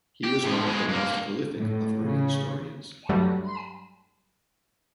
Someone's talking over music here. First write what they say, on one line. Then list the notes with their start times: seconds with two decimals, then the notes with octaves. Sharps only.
He was one of the most prolific of early historians.
0.24 G4
0.44 A2 F3
0.65 B2 G#3
0.89 G2 A#3
1.57 A2
2.02 C#3
3.09 G2 F#3 G3 A3